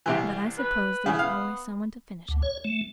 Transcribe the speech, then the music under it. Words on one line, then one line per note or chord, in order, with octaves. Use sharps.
"But I suppose there's always some one to finish it."
C2 C3 E3
B4
C#3 E3 B3
F5
D2
C#5
A3